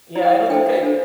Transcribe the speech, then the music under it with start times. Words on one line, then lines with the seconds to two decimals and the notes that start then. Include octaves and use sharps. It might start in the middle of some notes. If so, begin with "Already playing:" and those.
yeah, I don't think I
0.15 E4 C5 D5
0.46 E5
0.49 D4 A4 C5 G5
0.83 D4 A4 C5